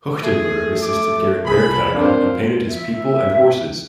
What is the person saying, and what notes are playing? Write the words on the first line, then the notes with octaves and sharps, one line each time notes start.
Huchtenburg assisted Gerrit Berckheyde and painted his people and horses.
A3 G#4
D6
C2 G#4 A5 B5
A#2 C4 D4 C5 F5
E5